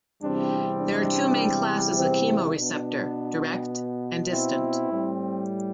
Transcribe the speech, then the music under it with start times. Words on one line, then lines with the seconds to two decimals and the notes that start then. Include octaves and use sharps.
There are two main classes of chemoreceptor: direct and distance.
0.21 E2 C3 G3 C4 D4
0.80 D4
1.97 C4
2.55 B2 B3 D4
4.31 C4 E4
4.89 A2 G3 C4